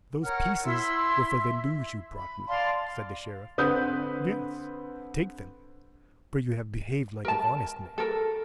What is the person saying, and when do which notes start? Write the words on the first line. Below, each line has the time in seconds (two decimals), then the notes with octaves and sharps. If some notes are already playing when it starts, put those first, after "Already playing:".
"Those pieces were for the news you brought me," said the Sheriff. "Yes, take them, for you have behaved like an honest man."
0.24 A#4 C#5 F#5 F6
0.64 E4 C6 E6
1.37 E5
2.16 B5
2.48 D5 F5 A5 C6
3.58 D3 C4 B4 D#6 G6
7.25 A#4 A5
7.98 A4 A#4